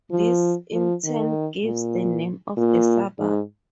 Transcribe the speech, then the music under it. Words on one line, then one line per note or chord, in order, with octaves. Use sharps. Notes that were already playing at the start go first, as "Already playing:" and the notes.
This in turn gives the name of the suburb.
F3
F3
D#3
A#2
A#2
G#2